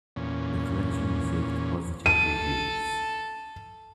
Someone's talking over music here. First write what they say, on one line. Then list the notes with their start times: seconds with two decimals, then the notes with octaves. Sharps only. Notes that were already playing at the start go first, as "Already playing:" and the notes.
The collection received positive reviews.
0.16 E2 A#2 C#4
2.06 A4 D#7